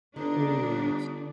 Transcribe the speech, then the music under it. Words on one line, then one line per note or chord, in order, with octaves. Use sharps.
Ooh, yes.
G1 D3 D4 D#4